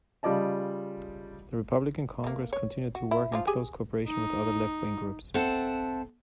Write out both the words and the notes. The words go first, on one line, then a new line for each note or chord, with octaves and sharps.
The Republican Congress continued to work in close co-operation with other left-wing groups.
C#3 G3 F4 D5 D#5 A5
A3 A#3
C#5
F#4
E4
E3 F3 F4
G4 G#4 G#5
D#4
C4 A4 E5 F#5 A5